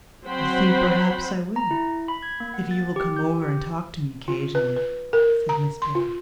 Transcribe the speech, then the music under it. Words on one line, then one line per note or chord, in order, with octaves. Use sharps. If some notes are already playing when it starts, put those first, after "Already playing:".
"I think perhaps I will if you will come over and talk to me occasionally," said Miss Barry.
F#3 C4 C5 F#5 B5
A#5
E4
B5
G#6
A#3
F#5
A6
G4
G6
G4
F4
B4
B4
A#4
A#5
C6
F4